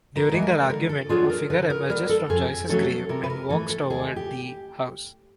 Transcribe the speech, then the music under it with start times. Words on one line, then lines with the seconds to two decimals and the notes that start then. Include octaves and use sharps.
During their argument, a figure emerges from Joyce's grave and walks toward the house.
0.16 A#4
0.30 E3 G#3 B3
0.42 A#4
0.70 D3 A#4
0.89 A4
1.09 F#3 B3 D4 F4 G#4
1.29 A#4
1.50 D3 B4
1.70 A#4
1.90 G3 B3 A#4
2.09 A4
2.29 F2 G#4
2.69 C#3 F#3 A3 C#4 A4
3.09 C3 A#4
3.23 B4
3.30 A#4
3.50 E3 A3 A4
3.69 A4
3.90 D#2 G#4
4.16 G4